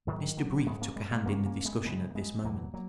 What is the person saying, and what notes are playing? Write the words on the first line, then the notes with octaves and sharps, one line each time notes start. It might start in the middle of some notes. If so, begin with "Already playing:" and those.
Mr. Brief took a hand in the discussion at this moment.
G#2 D#3 F#3
F#3 A#3
G#2 G#3 B3
A#3 C#4
G#3 B3
G#3 B3
F#2 C#3 A#3 C#4
A#3 C#4
G#3 B3
F#2 C#3 G#3 B3
A#3
G#3 B3
E2 B2 F#3 A#3
F#3 A#3